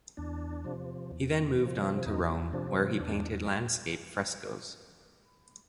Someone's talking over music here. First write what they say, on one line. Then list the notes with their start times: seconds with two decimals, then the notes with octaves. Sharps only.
He then moved on to Rome where he painted landscape frescos.
0.17 E2 D4
0.64 C3 F3
1.11 E2
1.59 C3 F3
2.06 E2 D#4
2.53 C3 F3 D4
2.99 E2 D4